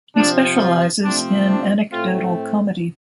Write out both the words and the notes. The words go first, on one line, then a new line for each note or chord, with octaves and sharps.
He specializes in anecdotal comedy.
C3 F3 C4 D4
F4
C3 F3 A3 C4 D4
D4
A2 A3 C4 F4